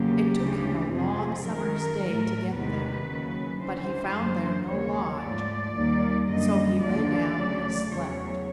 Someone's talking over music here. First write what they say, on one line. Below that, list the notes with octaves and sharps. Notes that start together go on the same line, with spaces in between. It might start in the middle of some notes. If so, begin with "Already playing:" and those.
It took him a long summer's day to get there, but he found there no lodge, so he lay down and slept.
Already playing: E2 C#3 F#3 A#3 G4
D2 C#3 E3 A3
F2 C3 F3 G#4
F#2 D#3 F#3 A3 A#4
A2 F#3 A3
E2 C3 D#3 G#3 B4
D#2 C#3 F#3
D2 C#3 E3 C5
F#2 D3 F#3 A#3
D#2 C#3 F#3 A#3 C#5
G#2 F3 A3 D5
D#2 D#3 G3 A#3
F#2 D3 G3 A#3 D#5
D#2 D3 F3 A#3 D5
D2 C#3 F#3 A3
E2 C#3 F#3 C#5